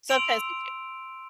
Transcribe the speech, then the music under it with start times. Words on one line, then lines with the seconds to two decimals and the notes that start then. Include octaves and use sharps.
Sometimes they do.
0.09 C6 E6 D7 F7